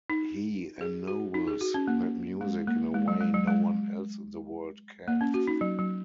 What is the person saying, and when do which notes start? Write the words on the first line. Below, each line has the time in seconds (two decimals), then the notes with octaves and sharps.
He ennobles that music in a way no one else in the world can.
0.10 D#4
0.81 G#4
1.07 F#4
1.34 D#4
1.48 G#4
1.61 F#4
1.74 C#4
1.87 A#3
2.41 G#3
2.67 A#3
2.94 G#3
3.08 F#3
3.21 G#3
3.34 F#3
3.47 G#3
5.08 A#3
5.21 C#4
5.34 F#4
5.47 D#4
5.61 F#3
5.79 F#3